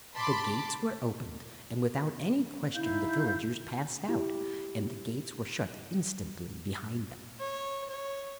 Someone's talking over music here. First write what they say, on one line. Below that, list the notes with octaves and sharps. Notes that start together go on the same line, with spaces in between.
The gates were opened, and without any question the villagers passed out, and the gates were shut instantly behind them.
A5 B5 C6 D6
D#4 E4 F5 G6
E4 G4
C#5
C#5